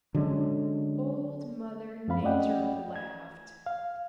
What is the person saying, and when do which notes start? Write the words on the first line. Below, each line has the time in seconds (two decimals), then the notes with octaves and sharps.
Old Mother Nature laughed.
0.15 D3 F#3 G#3 C#4
2.08 F#2 F3 C4 F5 B5
2.24 A3 C#4 D5 D#5 F#5 G5
2.96 G#6
3.67 F5